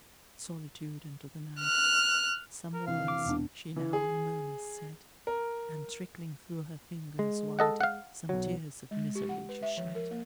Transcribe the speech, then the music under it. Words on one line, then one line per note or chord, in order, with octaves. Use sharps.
To solitude and to the night, Some words she now, in murmurs, said; And trickling through her fingers white, Some tears of misery she shed.
F6 F#6
A#4
F1 C3 E3 F5
D6
E1 B3 D4
E3
G#4
A#4
G#3
A4 D#5 F#5
F5 F#5
B1 F#3
G#3
G4
F#5
B4
E5
F3
A#4
A#3